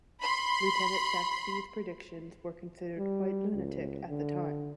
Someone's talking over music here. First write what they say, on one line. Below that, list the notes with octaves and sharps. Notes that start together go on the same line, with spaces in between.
Lieutenant Saxby's predictions were considered quite lunatic at the time.
B5 C6
G3
C#2
D3